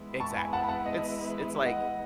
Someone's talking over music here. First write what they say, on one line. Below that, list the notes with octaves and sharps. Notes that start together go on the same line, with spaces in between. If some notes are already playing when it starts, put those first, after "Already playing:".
Exactly. It's it's like
Already playing: E3 G#3 B3 E4
A5 C#6
G#5 B5
F#5 A5
B5
F#5 A5
D#5
D#5 F#5